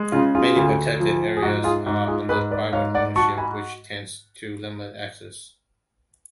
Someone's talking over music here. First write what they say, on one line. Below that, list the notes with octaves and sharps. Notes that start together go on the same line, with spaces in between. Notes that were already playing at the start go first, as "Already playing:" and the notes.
Many protected areas are under private ownership, which tends to limit access.
Already playing: G#3
C#3 F4 G#4
F4 G#4
D2
F3
G#4
G#2 F#4
F4 G#4
G#2 F#4
F4 G#4
G#2 G#4 B4
B4 D5
G#2 C#5 F5
D5 F#5
F#4 A5 C#6
G#5 B5